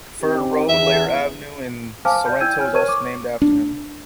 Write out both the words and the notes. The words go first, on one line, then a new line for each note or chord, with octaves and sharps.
Kerferd Road, later Avenue, in Sorrento is also named after him.
C4 D#4 G4
E2 E5
C5 F5 G#5 A5 D6 F6
D5 G6
E4 G5 E6 G6 G#6 D#7
C#5 G#5 F6
A#4 C5 C#5 C#6 G#6 D#7
C#6 D6
D4